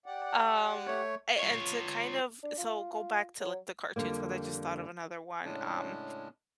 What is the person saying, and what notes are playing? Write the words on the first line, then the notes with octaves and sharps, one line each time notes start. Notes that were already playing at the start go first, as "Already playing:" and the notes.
Um, a and to kind of so go back to, like, the cartoons cause I, just, thought of another one, um,
G4 D5 F#5
A3 C#5
F4 C#5
D4
F4
F4
F#3
F2 A2 D3 G3 A#3
A2 C#3 G#3 C#4 D4